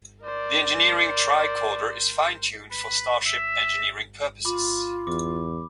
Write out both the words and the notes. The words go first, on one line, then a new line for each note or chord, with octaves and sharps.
The engineering tricorder is fine-tuned for starship engineering purposes.
A#4 C5 D5
B4
E5
F4 B5 D6
E2 D6